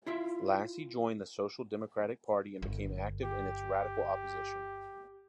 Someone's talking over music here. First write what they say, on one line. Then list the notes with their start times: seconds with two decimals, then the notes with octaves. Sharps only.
Lassy joined the Social Democratic Party and became active in its radical opposition.
0.06 E4 F4 E5
2.62 G1
3.24 G4